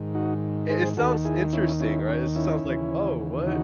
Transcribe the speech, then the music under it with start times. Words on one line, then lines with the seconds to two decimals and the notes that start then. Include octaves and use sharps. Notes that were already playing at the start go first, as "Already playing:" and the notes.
it it sounds interesting, right? It just sounds like, "Oh, what?"
Already playing: G#2 D#3
0.15 D#4 F#4
0.70 G#4 C5
0.97 D#2 D#3 F#4 A4
1.25 E4 G#4
1.53 C#4 E4
1.80 C#4 E4
2.09 C#4
2.36 C#4 E4
2.64 D#2 C#3 E3
3.47 D#4 F#4